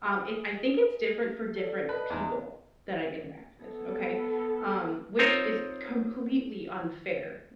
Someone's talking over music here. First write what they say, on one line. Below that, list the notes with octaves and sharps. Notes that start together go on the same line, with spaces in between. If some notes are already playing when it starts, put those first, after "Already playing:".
Um, it I think it's different for different people that I interact with, okay, um, which is completely unfair,
G#4 E5
A4 D5
B4 D#5 A5
E2 D#4 C6 D6
B3 A4
C4 D#4 F4 A#4 C5 C#5